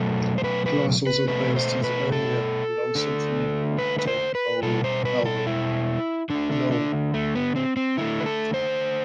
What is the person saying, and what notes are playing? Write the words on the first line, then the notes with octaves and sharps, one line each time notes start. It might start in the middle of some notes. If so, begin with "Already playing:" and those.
Glass also based his earlier Low Symphony on the David Bowie album, "Low".
Already playing: B2 F#3 A3 A4
C5
B4
B4
B4
B2 A3 B4
C5
B4
A4
D3 A3
B4
B4
C5
B4
B2 G3 A4
C5
B4
A4
E4
D3 A3 D4
D4
D4
A3
B3
C4
C4
D3 A3 E4
B4
A4
C5